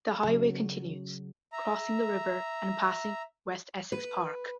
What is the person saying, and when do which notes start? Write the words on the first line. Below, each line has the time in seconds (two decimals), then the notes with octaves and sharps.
The highway continues, crossing the river, and passing West Essex Park.
0.24 C#3 F#3
1.53 E5 A#5
3.92 B4